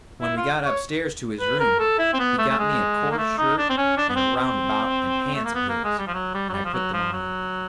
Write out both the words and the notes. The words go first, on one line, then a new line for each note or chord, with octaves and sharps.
When we got up-stairs to his room he got me a coarse shirt and a roundabout and pants of his, and I put them on.
E4
F4
C#5
B4
A#4
A4
E4
C4
B3
A3
A3
G#3
A#3
A3
D#4
D4
C4
C#4
D4
B3
C4
C4
A3
A#3
B3
A#3
G#3
G3
F3
F#3
G3
F#3
G3
F3
F#3
F3
F#3